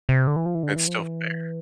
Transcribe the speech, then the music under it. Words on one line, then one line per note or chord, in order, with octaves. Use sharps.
It's still there.
C3
D3
E3
F3
E3
D3
E3
F3
E3